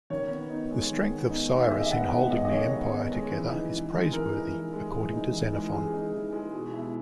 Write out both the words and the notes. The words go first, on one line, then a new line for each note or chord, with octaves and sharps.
The strength of Cyrus in holding the empire together is praiseworthy according to Xenophon.
D#3 C#5
B3
D#4
G#3
D#3
B3
D#4
G#3
E5
D#3 D#5
E5
B3 F#5
D#4 F#5
G#3 D#5
D#5
D#3 C#5
B3
D#4
G#3
E3
D#4
E3
G#3
E3 A#4
D#4
E3
G#3
E3
D#4
E3
G#3
E3 G#4
D#4
E3
G#3
B2
E4